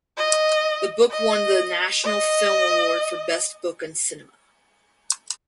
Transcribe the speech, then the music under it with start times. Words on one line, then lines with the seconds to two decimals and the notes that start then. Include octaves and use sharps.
The book won the National Film Award for Best Book on Cinema.
0.18 D#5
1.10 D#5
2.04 D#5